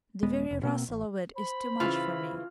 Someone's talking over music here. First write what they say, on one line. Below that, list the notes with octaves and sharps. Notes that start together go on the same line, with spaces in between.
The very rustle of it is too much for me.
D#1 G#3 B3
F1
B2 A#3 C4
A1
C5 B5
C#3 E3 F4